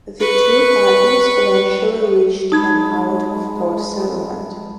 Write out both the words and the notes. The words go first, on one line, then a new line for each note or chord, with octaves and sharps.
The two parties eventually reached an out of court settlement.
B4 C#6
G#3 D#4 A5 B5 G#6